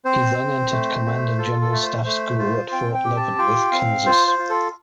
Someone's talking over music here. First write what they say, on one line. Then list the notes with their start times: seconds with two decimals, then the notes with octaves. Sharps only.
He then entered Command and General Staff School at Fort Leavenworth, Kansas.
0.05 C4 C5
0.38 C4
0.71 A3
1.05 A3
1.38 F4 A4
1.61 A4
1.72 A3
1.83 C5
2.05 A3 C5
2.39 F4 C5
2.72 C4 G5
2.95 G5
3.05 G4
3.16 A5
3.38 F4 G5
3.72 C4 F5
4.06 F4 C5
4.28 C5
4.39 F4
4.49 A4